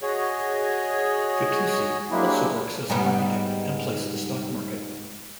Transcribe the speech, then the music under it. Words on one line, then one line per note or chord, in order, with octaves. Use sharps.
Fitoussi also works as an architect and plays the stock market.
F#4 G#4 C#5 D#5
F#3 G#3 A#3 D4 E4 G4
G#2 G3 B3